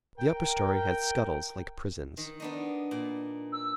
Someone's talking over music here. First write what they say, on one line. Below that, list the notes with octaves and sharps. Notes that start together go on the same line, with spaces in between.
The upper story had scuttles like prisons.
A#4 G5
D#3
B3 D4 D#4
A#2
E6